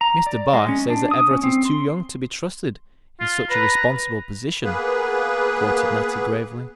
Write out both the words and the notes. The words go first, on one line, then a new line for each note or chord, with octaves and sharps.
"Mr. Barr says that Everett is too young to be trusted in such a responsible position," quoted Natty gravely.
A#5
D5
G#3
C#4
D4
D#6
C#4
C4
C6
F4
B4 A#5
A#3 B3 G#4 B4